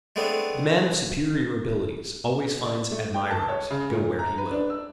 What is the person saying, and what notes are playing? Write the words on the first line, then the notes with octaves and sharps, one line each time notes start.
The man of superior abilities always finds admirers, go where he will.
G#3 A3 B3 C4 D4
D5
A3
G5
A5
C#5
C#3
A#2
A#5
B4
D4
E6